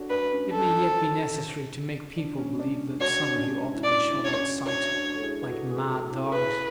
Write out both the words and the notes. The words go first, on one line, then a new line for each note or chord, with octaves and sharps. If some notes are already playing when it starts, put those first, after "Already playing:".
It may yet be necessary to make people believe that some of you ought to be shot at sight like mad dogs.
Already playing: D4 F#4 A4 C#5
D4 B4
C#4
A4
D4
C#4
D4
D4 F#4 C#5
D4
C#4
D4
C#4
E4
D4 D5
C#4 E4
C#5
C#4 E4
D4 F#4 C#5
D4 F#4
A4
E4 G#4
B4
F#4 A4
G#4 B4
F#4 A4
E4 G#4
A4
E4 G#4 B4